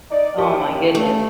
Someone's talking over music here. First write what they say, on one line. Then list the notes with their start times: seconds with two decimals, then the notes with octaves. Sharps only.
Oh my goodness.
0.11 D#4 D5
0.38 D#2 G4 A5 C#6
0.95 A3